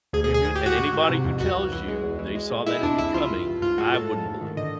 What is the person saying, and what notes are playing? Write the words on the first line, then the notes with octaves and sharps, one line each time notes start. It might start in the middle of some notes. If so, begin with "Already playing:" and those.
Mhm, and anybody who tells you they saw that ending coming, I wouldn't believe 'em
D2 G#4
G#4
D2
G#4
G#2 G#4
G4
G#2 F#4
G#2
G#2
C3
F2
C#2 F#4
C#2
E3
G#3
E2
E3
G#3
A2
G#3 E4
F2 D4
C#2 E4
C#2 F4
G2
G2
G#2 F4
G#3 F#4
A2 A4
A2
G#2
D#3
D3 D#5